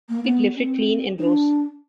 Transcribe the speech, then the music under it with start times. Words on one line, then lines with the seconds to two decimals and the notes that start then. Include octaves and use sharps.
It lifted clean and rose.
0.09 A#3
0.24 B3
0.56 C#4
0.60 C4
1.19 D#4
1.23 D4